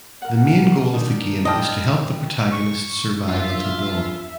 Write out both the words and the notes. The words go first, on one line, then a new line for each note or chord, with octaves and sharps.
The main goal of the game is to help The Protagonist survive until dawn.
A#4 F#5
D#3 D4 D#4
D4 E4 D#5 G5 F6
C#6
D4 F4 E5 F5